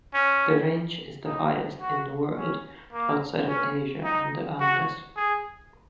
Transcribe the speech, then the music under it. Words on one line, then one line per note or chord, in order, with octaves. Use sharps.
The range is the highest in the world outside of Asia and the Andes.
C#4
D#4
F#4
C#4
A#3
C#4
D#4
F#4
G#4